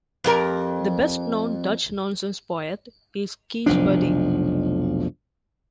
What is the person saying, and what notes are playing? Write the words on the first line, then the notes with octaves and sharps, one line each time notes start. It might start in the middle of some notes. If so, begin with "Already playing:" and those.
The best-known Dutch Nonsense poet is Cees Buddingh'.
F2 G4 A#4
F1 B1 F3 D4